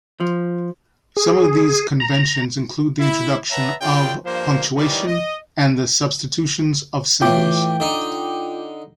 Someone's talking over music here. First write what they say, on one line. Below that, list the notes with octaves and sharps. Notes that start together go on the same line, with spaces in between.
Some of these conventions include the introduction of punctuation and the substitutions of symbols.
F3
G#4
A#5
E4
B4 C#5 E5 F#5 A5 A#5
F#2 C#3 F4 D5 G5
G2 F3 A#3 C5
D#3 E3 G3 C#4 D#4 D5
D#5
A2 E3 F4 G5 D6
D3 D#4